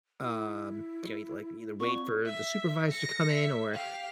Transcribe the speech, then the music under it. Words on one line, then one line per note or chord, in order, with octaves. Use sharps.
um, you know, like, either wait for the supervisor to come in or,
E4
C4 F4 D5 C#6
E5
A#6 C#7
E5
G4 F5